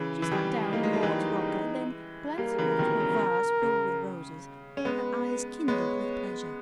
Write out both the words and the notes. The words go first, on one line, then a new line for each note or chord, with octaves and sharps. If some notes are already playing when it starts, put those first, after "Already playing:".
She sat down in Maude's rocker, then, glancing over to a vase filled with roses, her eyes kindled with pleasure.
Already playing: C#3 E3
E3
D#3 G3
A#3 D#4
G#3
G3
E3 G#3
G3 A#3 A#4
C#3 E3
B2 D#3
C#3
C#3
C#4
G#3 B3 B4
G#3 B3 C#5